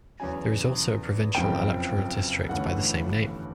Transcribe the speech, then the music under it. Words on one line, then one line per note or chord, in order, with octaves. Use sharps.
There is also a provincial electoral district by the same name.
E2 C#3 F#3 G#5
F#1 F2 C#3 F3 G5
G1 G2 E3 A3 C#4 F#5